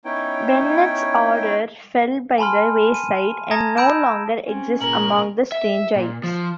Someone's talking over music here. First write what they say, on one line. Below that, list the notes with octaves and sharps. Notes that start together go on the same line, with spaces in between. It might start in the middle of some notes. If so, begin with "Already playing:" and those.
Bennett's "order" fell by the wayside and no longer exists among the Strangites.
B3 C#4 D#4 E4 C#5 G5
G#5 A5 B5 C6 F6
D#7
A5 A#5 D#6 G#6 A#6
B5 E6 G6 D7 E7
C4 C#4
A#2 C#3 A#4 F#7
E5
A#2
F3